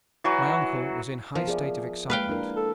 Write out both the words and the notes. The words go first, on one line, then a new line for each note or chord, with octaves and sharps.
My uncle was in high state of excitement.
E3 F#3 F#4
F3 B3 F4 A#4
G#4 D5 E5
G#3 A#3 B4 F5 G5
D4 E4 A#4
A4